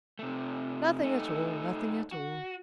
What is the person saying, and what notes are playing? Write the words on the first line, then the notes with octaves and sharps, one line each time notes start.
"Nothing at all,--nothing at all."
C3 A3
A3 D#4
F#4